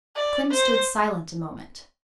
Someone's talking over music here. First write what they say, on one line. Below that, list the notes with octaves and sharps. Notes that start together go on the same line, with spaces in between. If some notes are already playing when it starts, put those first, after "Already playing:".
Clym stood silent a moment.
D5
C5